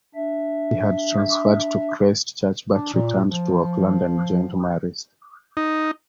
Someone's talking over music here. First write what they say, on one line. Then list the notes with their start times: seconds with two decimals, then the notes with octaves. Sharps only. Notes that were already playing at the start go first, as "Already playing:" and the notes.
He had transferred to Christchurch but returned to Auckland and joined Marist.
0.14 D4 E5
2.74 D4
2.94 A#2
3.27 F3
5.57 D#4